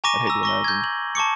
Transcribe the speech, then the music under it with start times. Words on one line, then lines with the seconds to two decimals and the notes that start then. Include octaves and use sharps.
I'd hate to imagine
0.04 G#5 A#5 C#6 D6 A#6 D#7
0.27 A#5 E6
0.43 C#6 A#6 G7
0.64 G6 G#6
0.84 F#7
1.15 A5 C#6 D6 C#7